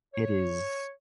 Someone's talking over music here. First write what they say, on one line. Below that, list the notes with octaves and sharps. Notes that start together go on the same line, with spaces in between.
It is.
C#5